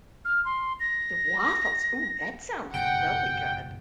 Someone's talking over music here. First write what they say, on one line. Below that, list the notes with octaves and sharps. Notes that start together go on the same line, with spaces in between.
The waffles. Oh, that sounds really good.
F6
C6
A#6
F#1 B1 G2 F#5 G5